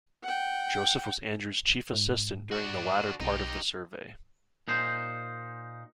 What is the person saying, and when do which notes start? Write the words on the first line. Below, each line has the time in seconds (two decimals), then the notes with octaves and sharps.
Joseph was Andrew's chief assistant during the latter part of the survey.
0.24 F#5 G5
1.93 G#2
2.52 D4 F#4
3.21 B1 D#4 G4
4.68 A#2 D#4 C5